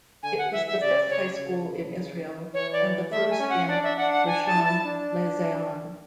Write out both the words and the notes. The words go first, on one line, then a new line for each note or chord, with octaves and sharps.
It was the fifth high school in Israel and the first in Rishon LeZion.
D3 G#5
F#5
E3 E5
E5
C#3 D5
C#3 C#5
C#3
E3 C#5
D5
A3 E5
G#5
C#4
F#5
D4 D5
E5
D4 F#5
F#5
D4 G#5
A5
E4
A5
D4